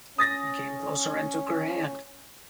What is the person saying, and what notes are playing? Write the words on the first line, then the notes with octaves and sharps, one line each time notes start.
He came closer and took her hand.
C#4 D#6 A6 A#6